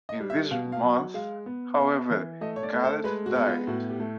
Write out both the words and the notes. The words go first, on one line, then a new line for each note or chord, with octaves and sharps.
In this month, however, Garrett died.
D#5
G3
E5
B2 F5
F5
F#3
F#5
G#3 F5
B3
B3 E5
E3
A3 D#5
C#5
D5
A3
C5
G#3 B4
F#4
B3
F4
A2 F#4
G4
A3